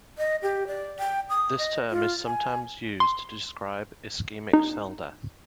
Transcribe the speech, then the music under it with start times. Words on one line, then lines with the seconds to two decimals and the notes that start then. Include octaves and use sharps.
This term is sometimes used to describe Ischemic cell death.
0.18 D#5
0.42 G4
0.67 D5
0.99 G5
1.30 D#6
1.58 D#5
1.90 F4
2.25 G#5
3.00 C6
4.53 D#4